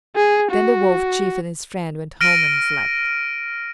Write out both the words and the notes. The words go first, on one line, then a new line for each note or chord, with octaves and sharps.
Then the Wolf chief and his friend went home and slept.
G#4
F#4
F6 A#6 D7 D#7